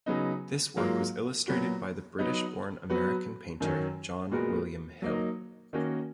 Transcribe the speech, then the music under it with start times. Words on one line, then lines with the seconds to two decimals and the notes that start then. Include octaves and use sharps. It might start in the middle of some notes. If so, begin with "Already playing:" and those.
This work was illustrated by the British born American painter John William Hill.
0.06 C#3 F#3 B3 D#4
0.77 G#2 F#3 A#3 F4
1.48 A#2 F#3 B3 F#4
2.19 F#3 B3 D#4
2.90 F#3 B3 F#4 B4
3.60 F#2 D#3 F#3 C#4
4.31 A#2 G#3 B3 F#4 A#4
5.02 F#3 A#3 D#4
5.73 D#3 A#3 C#4 F#4